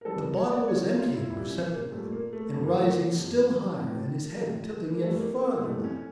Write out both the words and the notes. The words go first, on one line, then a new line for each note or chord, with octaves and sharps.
The bottle was emptying perceptibly and rising still higher and his head tilting yet further back.
A#4
F2 E3 G3 A4
A#4
C#5
D5
F2 E3 G3 C#5
A#4
F4
E4
A#2 G3 E4
C#4
A#3
A#2 G3 A3
A#3
A3
G2 F3 C#4
A#3
A3
A#3
G2 F3
A2 F3
A2 F3
A#3
F2 E3 G3 A3
A#3
A#3
A3
A#3
F2 E3 G3 A3
C#4